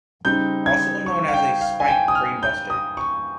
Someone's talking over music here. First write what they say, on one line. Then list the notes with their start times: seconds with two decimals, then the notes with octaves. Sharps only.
Also known as a spike brainbuster.
0.25 C#3 G3 C4 D#4 G6
0.66 G#6
1.06 C#6
1.28 F5
1.34 G5
1.61 F5
1.80 G#5
1.88 G5
2.08 D#6
2.15 F6
2.43 G6
2.70 D#6
2.97 C#6